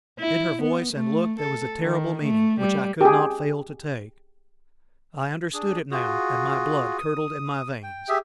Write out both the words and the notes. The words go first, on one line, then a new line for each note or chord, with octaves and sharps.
In her voice and look there was a terrible meaning, which I could not fail to take. I understood it now, and my blood curdled in my veins.
E4
B3
A3
A4
D#3
A3
G3
G4 G#4
D4 G#4
F4 F#4 G#4
D#6
G5
G4 G#4 E5